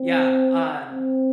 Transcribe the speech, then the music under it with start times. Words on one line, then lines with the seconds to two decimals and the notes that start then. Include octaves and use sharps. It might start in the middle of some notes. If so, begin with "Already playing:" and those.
Yeah, um,
Already playing: C4
0.89 C4